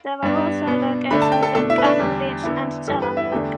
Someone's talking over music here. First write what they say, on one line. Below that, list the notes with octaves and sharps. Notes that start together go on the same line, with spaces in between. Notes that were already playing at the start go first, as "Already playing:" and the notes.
There are also locations in Cannon Beach and Tillamook.
G2 G3 B3 D4
B2 B3 D4
D3 A3 D4 B5
A5
G5
A4 A5
B2 A3 D4 A4 A5
E4 E5
B4
D4 D5
E2 D3 G3
D3 B3 E4
G2 E3 G3 A4
B4
E4 E5
E2 D3 A3 D4 G4 G5